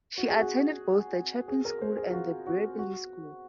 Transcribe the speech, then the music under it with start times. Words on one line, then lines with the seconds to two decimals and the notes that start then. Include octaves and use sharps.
She attended both the Chapin School and the Brearley School.
0.18 F#4
0.29 G#4
0.41 F#4
1.48 G#4
1.65 A#4
1.81 C5
1.97 G#4
2.09 F4
2.13 F#4
2.47 F#4
2.79 F#4